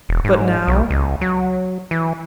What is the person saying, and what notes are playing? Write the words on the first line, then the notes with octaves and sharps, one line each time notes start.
But now?
E1
G#2
B1
C#2
F#3
E3